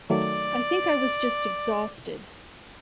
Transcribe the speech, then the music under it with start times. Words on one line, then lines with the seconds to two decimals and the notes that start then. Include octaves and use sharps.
I think I was just exhausted.
0.10 D#3 F#3 A3 D5